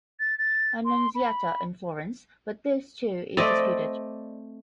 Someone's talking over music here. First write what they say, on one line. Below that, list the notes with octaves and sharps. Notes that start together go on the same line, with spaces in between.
Annunziata in Florence, but this too is disputed.
A6
A6
C6
B5
A3 C4 D5 D#5